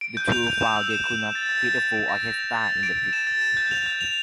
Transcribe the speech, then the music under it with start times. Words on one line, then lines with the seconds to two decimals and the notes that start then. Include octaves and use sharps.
The two found they could not fit a full orchestra in the pit.
0.01 D7
0.17 G6
0.32 F7
0.47 G6
0.60 E7
0.76 E6
0.90 E7
1.06 E7
1.20 F7
1.35 A6
1.49 A6
1.65 F7
1.79 F7
1.94 D7
2.08 A#6
2.23 F7
2.38 F7
2.53 A6
2.68 A6
2.83 D7
2.98 A6
3.13 E7
3.27 A6
3.41 E7
3.57 G6
3.71 F7
3.86 G6
4.01 F7